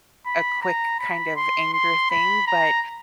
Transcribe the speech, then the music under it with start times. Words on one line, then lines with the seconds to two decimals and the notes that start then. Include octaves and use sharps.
a quick kind of anger thing, but
0.26 B5
0.63 A#5
0.99 B5
1.37 C6
1.73 C6
2.10 B5
2.47 A#5